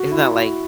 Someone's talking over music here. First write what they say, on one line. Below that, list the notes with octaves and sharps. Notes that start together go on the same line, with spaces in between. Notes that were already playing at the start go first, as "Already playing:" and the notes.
It's not like,
Already playing: F#4
E4
F#4